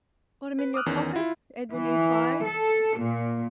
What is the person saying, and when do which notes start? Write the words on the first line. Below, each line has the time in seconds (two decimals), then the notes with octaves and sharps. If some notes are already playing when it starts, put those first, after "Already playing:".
"Got 'em in your pocket?" Edwin inquired.
0.59 B4
0.74 D6 D#6 F6 F#6
0.86 E2 D#3 C#4
1.15 E4 F4
1.71 E3
2.43 A4
2.97 A#2